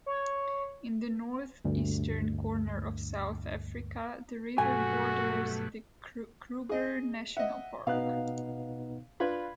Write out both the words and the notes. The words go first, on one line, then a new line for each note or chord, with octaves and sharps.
In the north-eastern corner of South Africa the river borders the Kruger National Park.
C#5
D2 G2
G2 B2 F#3 A3 F#4 G#5
G#4 D#5
D#5 E5 F#5
B2 B3 D#4 F5 F#6
D4 F4 B4 B5 G#6